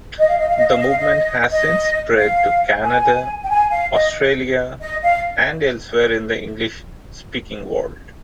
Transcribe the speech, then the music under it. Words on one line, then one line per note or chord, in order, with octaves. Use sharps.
The movement has since spread to Canada, Australia, and elsewhere in the English-speaking world.
D#5
F5
D#5
F5
D#5
F5
D#5
F5
D#5
D#5
F5
G#5
G5
G#5
F5
D#5
D#5
F5